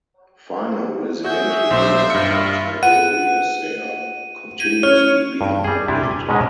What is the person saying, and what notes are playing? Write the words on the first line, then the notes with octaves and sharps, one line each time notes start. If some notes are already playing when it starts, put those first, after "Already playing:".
Final residential unit counts may vary as they are continuously being updated.
F#4 G#4 E5 G6
B1 C5
G2 F4 C#7
F4 G#4 B4 F#5 D#7
E4 G6 G#6 D#7
C#4 C#5 F6
G2
G3 G#4
C3 G3 D4 E4
G#5
G#2 B2 G#3 C#4 D#5